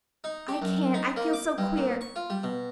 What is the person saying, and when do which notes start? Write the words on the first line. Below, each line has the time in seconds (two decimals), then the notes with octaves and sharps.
I can't, I feel so queer!
0.24 D#4
0.48 G4
0.62 F#2
0.94 D#4
1.16 A#3
1.33 D6
1.58 G2
1.77 A#2
2.01 C#6
2.16 F4
2.30 G3
2.43 B2